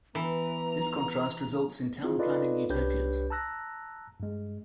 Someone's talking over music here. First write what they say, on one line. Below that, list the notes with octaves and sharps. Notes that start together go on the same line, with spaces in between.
This contrast results in town-planning utopias.
E3 B3 A#5
C4 E4 F4 G#4
D#4 F4 A4 B4 D5 D#5
C2 D4 G4 B4 C#5 G6
A5 A#5 E6 F#6 A#6
G2 G#3